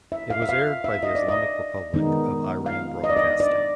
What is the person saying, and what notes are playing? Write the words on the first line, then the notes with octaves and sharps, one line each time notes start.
It was aired by the Islamic Republic of Iran Broadcasting.
E5
F5
E5
F5
E5
D#5
D5
D#5
D#3 G#3 B3 D#4
F5
D#5
D5
D#5
D5